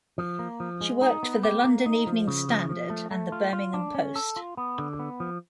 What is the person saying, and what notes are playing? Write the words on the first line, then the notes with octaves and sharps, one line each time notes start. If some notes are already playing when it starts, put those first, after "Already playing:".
She worked for the "London Evening Standard" and the "Birmingham Post".
F3
A#3
F3
G#3
D#4
B3
G4
A#3
D#4
F3
C#3
F3
F3
A3
A3
F4
F4
D4
C#4
A4
F4
B3
D3
B3
F3